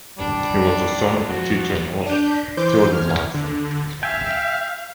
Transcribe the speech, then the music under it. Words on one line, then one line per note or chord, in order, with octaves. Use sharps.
He was the son of the teacher and author Theodor Madsen.
G3 D4
F3 F#4
D4 G6
E3 C5 D6 G6
F6 G#6
D3
E5 F5 G5 G#5